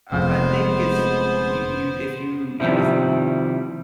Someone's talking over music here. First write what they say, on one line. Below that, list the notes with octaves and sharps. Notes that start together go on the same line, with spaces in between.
I I think it's you you if you you know, f
F1 F2 C3 F3 G#3 A3 B3 C5
C3 D#3 F3 G3 C4 E4